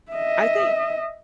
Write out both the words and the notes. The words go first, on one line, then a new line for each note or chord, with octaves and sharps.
I think
D#5 E5